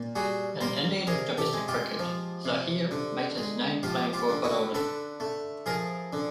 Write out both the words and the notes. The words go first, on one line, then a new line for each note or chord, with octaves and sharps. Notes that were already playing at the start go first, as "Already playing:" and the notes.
In Indian domestic cricket, Zaheer made his name playing for Baroda.
Already playing: A#2
G3 F#4 G#4
G3 A#4 C5
C3 G#4 A#4
G4 A4
G#3
F4 G4
F3
C3
D3
G#3
F3 F4 G4
F4 G4
D3
E4 F#4
D3 A4 B4
A3
F3 G#4 A#4
D3